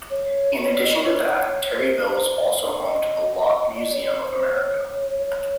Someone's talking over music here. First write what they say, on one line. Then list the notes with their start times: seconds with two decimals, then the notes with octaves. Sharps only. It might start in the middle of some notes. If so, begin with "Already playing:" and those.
In addition to that, Terryville is also home to the Lock Museum of America.
0.10 C#5
0.74 D5
0.84 D#5
0.95 D5
1.05 C#5
1.37 C#5
1.69 C5
2.00 C5
2.63 C#5
2.75 D5
2.86 D#5
3.60 D#5
3.75 D5
3.90 D5
3.94 C#5
4.23 C5
4.54 C#5
5.18 C#5